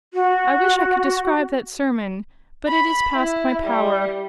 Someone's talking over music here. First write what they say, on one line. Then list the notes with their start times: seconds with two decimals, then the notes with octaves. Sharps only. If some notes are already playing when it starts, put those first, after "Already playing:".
I wish I could describe that sermon: but it is past my power.
0.14 F#4
2.68 B5
3.15 E4
3.64 G3